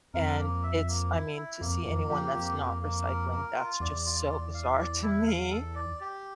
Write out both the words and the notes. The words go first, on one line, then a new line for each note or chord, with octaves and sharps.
and it's I mean, to see anyone that's not recycling, that's just so bizarre to me,
F2 A#4
A#3
E5
A#3
E4
E4
F2 A#3
F2 A#3
F2 G4
F2 A#3
A#3
A#3
A#4
A#4
F4
E2 D5
F4
D5
F5
D5
E4
F5
A4
D5
G4